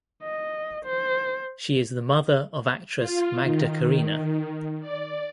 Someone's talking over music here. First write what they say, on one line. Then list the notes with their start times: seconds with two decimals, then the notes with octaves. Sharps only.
She is the mother of actress Magda Karina.
0.23 D#5
0.85 C5
2.98 F4
3.41 D#3
4.81 D5